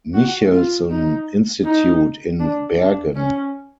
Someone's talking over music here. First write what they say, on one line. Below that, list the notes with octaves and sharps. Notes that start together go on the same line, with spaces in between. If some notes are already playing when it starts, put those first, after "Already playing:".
Michelsen Institute in Bergen.
F#4
F4
D#4
D#4
D4
D4
C#4